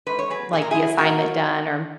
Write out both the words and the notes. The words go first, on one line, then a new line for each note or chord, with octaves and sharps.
like, the assignment done or
G#2 B4
C#5
F#3 G#4 B4
A#2 G#4
A#4
F#3 E4 G#4
A#2 F#4 A#4
F#3